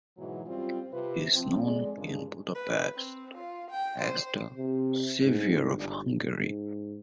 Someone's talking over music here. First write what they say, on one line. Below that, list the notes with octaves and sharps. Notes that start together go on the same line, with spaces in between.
He is known in Budapest as the "Saviour of Hungary".
G#2 B2 E3 F#3
F#2 G3 C4 F4
C3 F4 B4
F3 C4
F2 G#3 D5
E2 G2 A#2 C#3 G#3 D4
B4
C4
F4
G5
C5
C3
G#2
G1
G#2